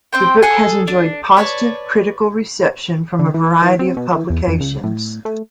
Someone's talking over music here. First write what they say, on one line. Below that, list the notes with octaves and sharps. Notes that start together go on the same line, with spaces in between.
The book has enjoyed positive critical reception from a variety of publications.
C4 C5 G5
G#4 A4 F#5 G#5
D4
B4 C#5 D5 A5
D3
E3
E3
C4
B2
E3
E2
F2
C#2
A2
A3